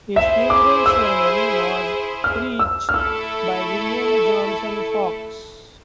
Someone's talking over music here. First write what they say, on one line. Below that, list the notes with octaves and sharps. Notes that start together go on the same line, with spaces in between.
His funeral sermon was preached by William Johnson Fox.
E4 G#4 C5 E5
D6
E6
F6
E6
F6
A3 E4 A4 E6